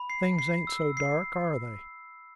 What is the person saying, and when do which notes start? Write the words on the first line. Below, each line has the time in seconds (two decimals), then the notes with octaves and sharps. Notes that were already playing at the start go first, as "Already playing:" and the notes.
Things ain't so dark, are they?
Already playing: B5
0.10 C7
0.39 C7
0.67 E6
0.97 C7